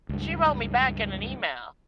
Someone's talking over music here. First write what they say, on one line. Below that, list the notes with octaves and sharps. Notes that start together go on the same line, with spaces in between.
She wrote me back in an email,
C#2 G2